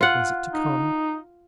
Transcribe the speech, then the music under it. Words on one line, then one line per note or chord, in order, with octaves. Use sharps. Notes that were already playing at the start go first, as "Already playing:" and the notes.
Was it to come?
F4 F#5
D#4